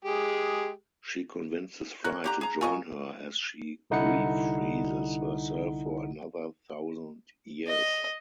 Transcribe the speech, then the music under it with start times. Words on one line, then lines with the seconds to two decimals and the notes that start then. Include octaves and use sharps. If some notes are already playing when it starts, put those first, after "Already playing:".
She convinces Fry to join her as she re-freezes herself for another thousand years.
0.05 G#3 G4 G#4
2.04 C#4 A#4 F#6
2.24 D3 G4 A#5
2.41 G#4 A#5
2.61 F4 A#4 D#5 G#5 C#6
3.90 C2 D3 D#4 E4 F#5 C#7
7.67 D#5